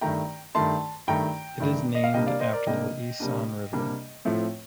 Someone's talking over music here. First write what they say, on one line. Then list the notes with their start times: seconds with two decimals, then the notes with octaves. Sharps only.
It is named after the Essonne River.
0.01 G2 D#3 A3 G5 A#5
0.55 G2 D#3 A3 A5 C6
1.07 G2 D#3 A3 G5 A#5
1.60 G2 D#3 A3
1.95 D#5
2.04 F5
2.14 C3 G3 A#3 D4 D#5 G5
2.27 D5 F5
2.40 C5 D#5
2.53 A#4 D5
2.67 C3 G3 A#3 D4 D#5 G5
3.20 C3 G3 A#3 D4
3.73 C3 G3 A#3 D4
4.25 A2 F3 A3 C4